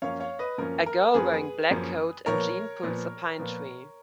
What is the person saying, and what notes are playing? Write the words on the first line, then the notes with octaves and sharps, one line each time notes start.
A girl wearing black coat and jean pulls a pine tree.
F#2 F3 A#3 C#4 C#5 F5
C#5 F5
B4 D#5
F#2 F3 A#3 C#4 A#4
A#4
F#2 F3 A#3 C#4 G#4 B4
F#2 F3 A#3 C#4
A#2 F3 B3 A#4 C#5
A#2 F3 B3
A#2 F3 B3